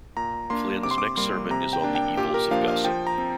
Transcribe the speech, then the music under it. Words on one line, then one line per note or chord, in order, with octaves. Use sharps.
Flynn's next sermon is on the evils of gossip.
A#2 A#5
A#3 D4 C6
C3 D6
C6
D6
G3 A#3 C6
C3 A#5
G5
A#3 D4
G5
A#2 G4
A#4
F3 A#3 D4 F5
F5
F3 G5
A#5
C4